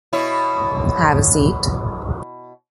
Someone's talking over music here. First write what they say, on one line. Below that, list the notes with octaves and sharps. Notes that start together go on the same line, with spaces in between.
Have a seat.
B2 E4 C#5